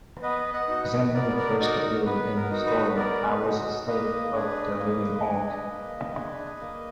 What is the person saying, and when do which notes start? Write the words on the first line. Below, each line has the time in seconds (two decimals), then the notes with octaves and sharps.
Xemnu first appeared in the story I Was a Slave of the Living Hulk!
0.23 B3 B4 D#5
0.53 D#5 F#5
0.68 D#4 F#4
0.84 B4
1.14 B3 A#4 D5
1.37 A#4 D5
1.60 D#4 F#4 A#4 D5
1.82 A#4
2.05 B3 B4
2.36 A#4
2.51 D#4 F#4
2.66 B4
2.96 B3 A#4 D5
3.27 B4
3.42 D#4 F#4
3.87 A#3 B4 D#5
4.33 D4 G#4
4.79 A#3
5.24 D4 G#4
5.70 A#3
6.15 D4 G#4
6.61 A#3